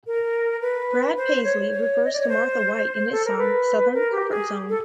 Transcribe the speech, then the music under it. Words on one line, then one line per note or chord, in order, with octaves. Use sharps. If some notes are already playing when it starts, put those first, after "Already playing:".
Brad Paisley refers to Martha White in his song "Southern Comfort Zone".
A#4
B4
C5
C#5
C#5
D#5
D5
C#5
C5
A4
A#4
B4
A#4
G4
G#4
A4